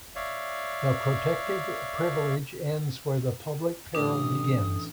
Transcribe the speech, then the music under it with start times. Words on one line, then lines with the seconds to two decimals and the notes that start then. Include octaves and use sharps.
The protective privilege ends where the public peril begins.
0.16 C#5 D5 E5 F5
3.95 A1 D4 F5 D#6